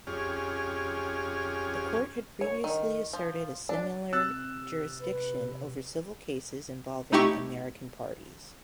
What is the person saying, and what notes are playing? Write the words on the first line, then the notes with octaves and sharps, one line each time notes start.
The Court had previously asserted a similar jurisdiction over civil cases involving American parties.
F2 C#4 G4 G#4 F6
C#5
D#3
F3
D4
C3 E6 F#6 A6
B4
A3 D#4 E4 G4 C#6